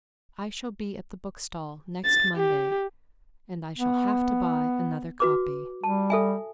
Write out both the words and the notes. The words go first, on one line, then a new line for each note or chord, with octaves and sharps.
I shall be at the bookstall next Monday and I shall have to buy another copy.
A6
G4
B3
F#4 B4 D6
G3 A5
A4 E5 G#5